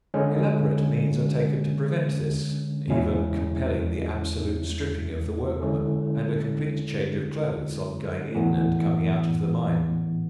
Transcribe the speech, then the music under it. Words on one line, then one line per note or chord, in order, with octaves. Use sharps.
Elaborate means are taken to prevent this, even compelling the absolute stripping of the workman, and a complete change of clothes on going in and coming out of the mine.
D3 G#3 C#4
E2 C#3 G#3 C#4 E4
D3 G#3 C#4 E4 A4
A2 E3 B3